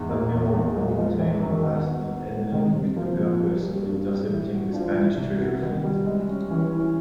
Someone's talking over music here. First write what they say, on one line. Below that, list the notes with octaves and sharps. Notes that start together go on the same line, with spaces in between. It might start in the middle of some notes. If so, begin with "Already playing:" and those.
Admiral Haultain passed the headland with the purpose of intercepting the Spanish treasure fleet.
Already playing: E2 G#2
A#3
E2
E2
F#3 G#3
F3 G#3
E3 G#3
E3
F#2
D#3
B3
B3
B3
B3
C3 D#3
C3
F3 A#3
A#3
A#3
G3
G2
G3
E3
F#4
F3 D4
E3
C2
B3
D#3 B3
G3
G#3
C#4
E3 C#4
C#4